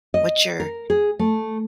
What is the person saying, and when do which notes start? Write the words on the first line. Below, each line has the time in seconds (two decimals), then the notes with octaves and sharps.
What's your,
0.14 D#5
0.60 A#4
0.90 G#4
1.19 A3